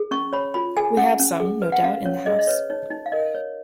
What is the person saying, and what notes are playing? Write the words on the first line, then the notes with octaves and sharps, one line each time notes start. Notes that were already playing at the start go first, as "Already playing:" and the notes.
We have some, no doubt, in the house.
Already playing: G#4
C#4 C#6
C#5 B5
F4 B5
G#4 G#5
C#4 F#5
C#4
G#4
B4
F#5
C#4 F5
C#4 C#5
G#4 D#5
D#5
B4 C#5
D#4 C#5
D#4
F5
A#4 D#5
C#5